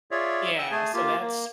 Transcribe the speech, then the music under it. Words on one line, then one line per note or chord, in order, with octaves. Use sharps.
Yeah, so, that's,
F4 G#4 C#5 D5 E5
F#5 G5 E6 F#6
A3 G#4 G#5 A5
A#3 F4 G4
A#3